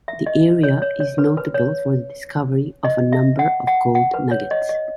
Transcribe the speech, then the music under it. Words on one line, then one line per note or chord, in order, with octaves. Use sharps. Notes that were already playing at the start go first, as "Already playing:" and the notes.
The area is notable for the discovery of a number of gold nuggets.
E5
D#5
C#5
C#5
C#5
B4
B4
C#5
D#5
E5
F#5
F#5
F#5
B4
C#5
D#5
D#5